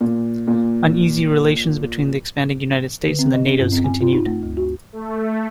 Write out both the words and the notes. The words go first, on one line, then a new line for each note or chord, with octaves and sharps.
Uneasy relations between the expanding United States and the natives continued.
A#2
A#2
D3
C4
D#5
C#4
G2
C4
G#5
F4
D#4
A3
D2
F#4
A3